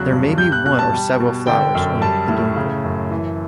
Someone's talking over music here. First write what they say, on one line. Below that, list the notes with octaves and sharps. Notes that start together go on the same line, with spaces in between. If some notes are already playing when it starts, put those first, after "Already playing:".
There may be one or several flowers on the peduncle.
Already playing: E2 C#3 F#3 F#6
G2
G3 G6
F#6
B2 F#6
A5
G3
B2
D3 G5
F#2
G3 A5
A2
C#3
F#2
E3